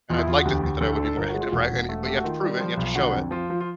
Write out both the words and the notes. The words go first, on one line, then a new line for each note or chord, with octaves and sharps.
and I'd like to think that I would be more acti right? And but you have to prove it and you have to show it.
E2 F4
E4
E2 F4
F#4
D2 G4
D2
D2 A4
A4
D3
A4
G1 A#4
F#4
G#3
F4
E1 F#4
E1
A3
A3 G4
F#4
D#3 F4
G3
F3 F4
B1
D3 F#4
F2
F3 F4
F3
F4